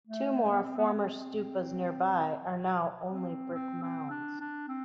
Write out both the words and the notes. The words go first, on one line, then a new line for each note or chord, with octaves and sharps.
Two more former stupas nearby are now only brick mounds.
A3
B3
C4
B3
C4
C4
C4
C4
D4
D4
C4